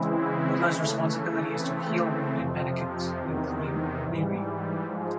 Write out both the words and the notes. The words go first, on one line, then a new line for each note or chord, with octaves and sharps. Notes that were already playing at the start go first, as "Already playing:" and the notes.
LuLa's responsibility is to heal wounded mannequins, including RiRi.
Already playing: C#3 E3 G#3 C4 E4
C#3 E3 A3
C#3 E3 A3 C4
F2 C3 F3
E2 C3 D#3
G#2 E3 G3
G#2 F3 G#3